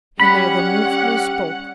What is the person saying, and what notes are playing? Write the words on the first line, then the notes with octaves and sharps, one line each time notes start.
He neither moved nor spoke.
G3 C#4 F#5 B5